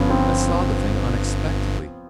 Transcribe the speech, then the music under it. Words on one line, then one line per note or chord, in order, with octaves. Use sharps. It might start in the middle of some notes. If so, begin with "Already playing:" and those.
I saw the thing unexpectedly.
Already playing: G1 G2 F3 B3 C#4
C4